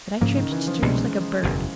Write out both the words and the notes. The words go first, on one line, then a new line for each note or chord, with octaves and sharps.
But I tripped to church like a bird.
G#2 C#3 F3 A#3 D4
D#3
E3
F3
C2 B2 G3 G#3 A#3
F#1 E2 B2